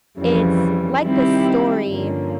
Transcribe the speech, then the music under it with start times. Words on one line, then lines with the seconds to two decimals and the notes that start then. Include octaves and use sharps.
it's like the story
0.17 F2 C#3 E3 G3
1.01 D#3 G3 C4 E4 G4
1.86 G2 D3 F3 A#3 C#4